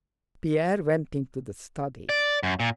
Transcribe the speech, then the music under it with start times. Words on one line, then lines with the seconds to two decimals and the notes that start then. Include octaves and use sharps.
Pierre went into the study.
2.09 D5
2.43 F#2
2.60 A#2